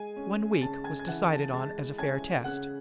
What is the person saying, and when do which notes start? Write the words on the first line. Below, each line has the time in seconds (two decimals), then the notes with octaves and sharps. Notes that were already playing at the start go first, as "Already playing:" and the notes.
One week was decided on as a fair test.
Already playing: G#3 G#5
0.16 C#4
0.61 C#3 A5 A6
0.84 G#5 G#6
0.99 G#6
1.07 E3 F#5 F#6
1.31 A5 A6
1.53 G#3 A5 A6
1.98 C#4 G#5 G#6
2.44 C#3 F#5 F#6